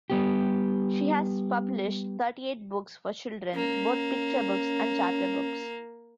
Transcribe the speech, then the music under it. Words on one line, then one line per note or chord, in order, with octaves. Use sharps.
She has published thirty-eight books for children, both picture books and chapter books.
G3 B3 G4
A#3 C#4